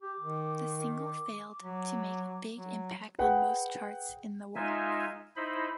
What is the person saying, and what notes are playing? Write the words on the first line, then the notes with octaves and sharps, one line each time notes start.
The single failed to make a big impact on most charts in the world.
G4 D6
D#3
F#3
F#3
G#4 B4 F#5 G5
G#3 D#4 F4 E5 G#5
D#4 E4 C5 B5